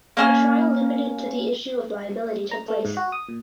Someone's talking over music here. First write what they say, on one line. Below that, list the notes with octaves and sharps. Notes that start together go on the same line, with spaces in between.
A trial limited to the issue of liability took place.
A#3 C#4 F6
A#5
A3
G#2
F#4
D#6
A#2